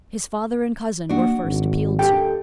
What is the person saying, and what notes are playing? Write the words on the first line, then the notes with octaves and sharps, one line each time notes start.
His father and cousin were first appealed to.
A#3 D4 F#4
G#1
D#2 G4 A4 G5